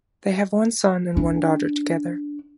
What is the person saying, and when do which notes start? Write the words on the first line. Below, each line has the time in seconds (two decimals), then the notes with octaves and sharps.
They have one son and one daughter together.
1.17 D4